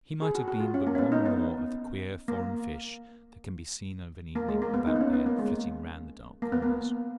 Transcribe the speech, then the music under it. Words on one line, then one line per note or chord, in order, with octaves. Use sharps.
He might have been but one more of the queer foreign fish that can be seen of an evening about there flitting round the dark corners.
G#4
F#4
F#4
F4
C#4
A#3
C#4
B3
D#4
B3
A#3
A#3
G#3
A#3
B3
D#4
B3
C#4
B3
A#3
G#3
A#3
B3
A#3